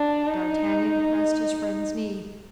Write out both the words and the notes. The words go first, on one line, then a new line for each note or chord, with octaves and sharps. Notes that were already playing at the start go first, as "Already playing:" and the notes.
D'Artagnan pressed his friend's knee.
Already playing: D4
D#4